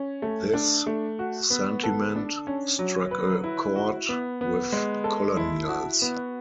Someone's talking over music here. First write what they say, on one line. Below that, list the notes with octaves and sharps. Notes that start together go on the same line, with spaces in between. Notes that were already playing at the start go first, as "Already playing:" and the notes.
This sentiment struck a chord with colonials.
Already playing: C#4
A3
D4
A3
F#4
B3
A4
D4
C#4
F#3
B4
E4
F#4
B3
B3
G#3
A4
E4
F#4
B3